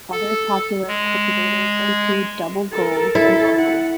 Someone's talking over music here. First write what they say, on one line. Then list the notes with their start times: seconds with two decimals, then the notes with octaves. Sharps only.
Other popular cultivars include 'Double Gold' and 'Marmalade'.
0.12 A4
0.88 G#3
2.72 A4 A#4
3.15 E4 A4
3.58 F#5